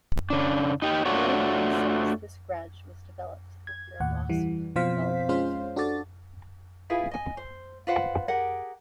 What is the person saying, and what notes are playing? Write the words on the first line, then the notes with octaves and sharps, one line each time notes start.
Herodian says this grudge was developed after a lawsuit involving the two.
C#3 D4
D#4 G4
A3 D4 F4 F#4 C#5
G#6
D#2 A2 F#5
E3 G3
B2 F3 C4 C5 F5 B6
G#3 C#4 F4 C5 F5
D4 F#4 A4 D5 A6
E4 F4 G#4 B4
D#5 G#5
C5
F4 B4 C5 F#5
G4 G#4 A#4 F#5